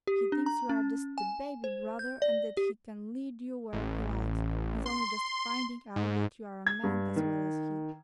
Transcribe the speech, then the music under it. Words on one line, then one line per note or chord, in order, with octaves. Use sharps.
He thinks you are just the baby brother and that he can lead you where he likes. He's only just finding out that you are a man as well as he.'
G4
D4
A#5
C#4
G#5
C5
G6
D5
G4
A1
C6
G#2
G#6
G2
D#3